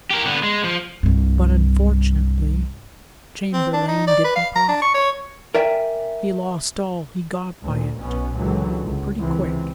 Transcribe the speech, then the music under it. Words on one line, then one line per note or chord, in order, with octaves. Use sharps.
But, unfortunately, Chamberlayne didn't profit--he lost all he got by it, pretty quick.
G4 A#4
D3 B3
G#3
F3
C2 G2
C4
D4
D#4
D5
B4
F5
A#5
D4
C#6
C#5
A#4 D5 E5 G5 G#5
D2 A#2
B1 B2 B3 C#4
C#2 A#2 D3 E3 F#3
C#2
C#2 C3 E3 C4